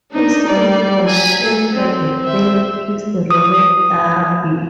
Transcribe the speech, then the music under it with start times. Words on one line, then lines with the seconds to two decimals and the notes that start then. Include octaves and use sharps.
His fate was shared by a fellow priest, Robert Dalby.
0.12 D4 D#4
0.47 G3 D5
1.01 F#3 G#5
1.42 A3 A4
1.72 C4
2.21 C5 E5
3.30 D#6